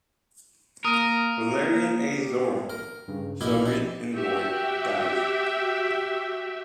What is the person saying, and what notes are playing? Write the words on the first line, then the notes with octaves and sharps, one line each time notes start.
Valerian A. Zorin, Soviet Envoy, Dies.
A#3 A#4 D#6 D#7
A#3
G4
A#4
G2 C#3
A#1 B2 A#3 D#4 E4
D#4 E4
F#4 G4 E5 G5